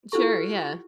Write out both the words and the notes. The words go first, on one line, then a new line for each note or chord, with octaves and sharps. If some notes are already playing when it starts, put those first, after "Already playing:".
Sure, yeah.
E4 F4 G4 A4 C#6